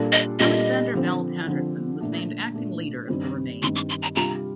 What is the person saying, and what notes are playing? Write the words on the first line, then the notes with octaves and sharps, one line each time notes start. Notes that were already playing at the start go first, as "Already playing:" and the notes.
Alexander Bell Patterson was named acting leader of the remains.
Already playing: A#2 G3 D4 F4 A4
D#5
A#2 G3 D4 F4 A4 D#5
D3 F3 C4
D3 F3 C4
A#2 A3 D4
A#2 A3 D4
G2 D#3 G3 C4
G2 D#3 G3 C4 C6
D6
C6
A#5
C3 G3 D4 F4 A#5